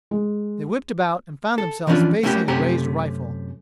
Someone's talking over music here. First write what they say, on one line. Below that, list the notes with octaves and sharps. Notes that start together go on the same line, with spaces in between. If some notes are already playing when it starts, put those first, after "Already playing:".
They whipped about and found themselves facing a raised rifle.
G#3
A4
E3 F3 G3 C#4 D4 F4
A3 A#3 C#4 E4 F#4 G4
F#2 C3 A3 C#4 G4 A#5